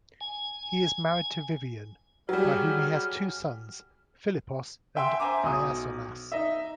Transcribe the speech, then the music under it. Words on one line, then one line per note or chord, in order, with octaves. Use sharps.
He is married to Vivian, by whom he has two sons, Filippos and Iasonas.
G#5
F#3 G3 G4 G#4 F6
E5 G5 G#5 C6 E6
C5 E5 G#5 A#5 D6
B1 D#6
D#4 D#5 E5